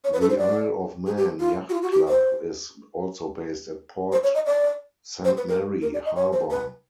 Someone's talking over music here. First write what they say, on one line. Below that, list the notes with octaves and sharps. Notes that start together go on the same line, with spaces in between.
The Isle of Man Yacht Club is also based at Port Saint Mary harbour.
C#5
B4
A4
C5
D5
G#4
G4
F4
F#4
F4
F#4
G4
C5
C5
C#5
D#5
D5
C5
B4
A#4
A#4
D5
D#5
C#5
C5
B4